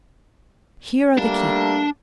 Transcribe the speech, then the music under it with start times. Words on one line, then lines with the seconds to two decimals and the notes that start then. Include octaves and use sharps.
Here are the keys.
1.18 G3 A3 A#3 D4 A5